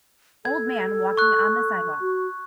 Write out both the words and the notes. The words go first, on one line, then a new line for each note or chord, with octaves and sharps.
Old man walking on the sidewalk.
A4 G#6
C#6 F#6
F#4